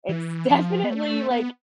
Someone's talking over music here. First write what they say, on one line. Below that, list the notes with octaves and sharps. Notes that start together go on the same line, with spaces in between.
it's definitely, like
E3
F3
B3
A3
B3